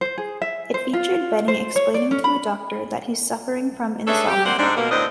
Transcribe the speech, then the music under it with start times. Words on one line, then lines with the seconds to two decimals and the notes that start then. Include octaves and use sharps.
It featured Benny explaining to a doctor that he's suffering from insomnia.
0.01 C5
0.18 G#4
0.42 E5
0.74 C5
0.93 F4
1.48 C5
1.76 C#5
1.94 D5
2.11 C#4
2.24 B5
4.07 C#4 D4 G#4 A4 B4 E5
4.28 G4
4.45 A#3 C4 C5 D5 F#5
4.58 G#2 D4
4.76 B2 A#3
4.91 D2 A2 C4 D4 C5 D#5